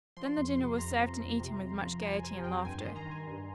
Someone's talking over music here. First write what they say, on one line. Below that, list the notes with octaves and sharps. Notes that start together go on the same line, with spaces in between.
Then the dinner was served and eaten with much gayety and laughter.
F3 C6
F2
C6
C3
F2 A#5
F3
F2
C3
F2
F3
F2 G#5
C3 G#5
F2 G5
G2 G#5
D#3 C6
A#5
D#3
G#5
G2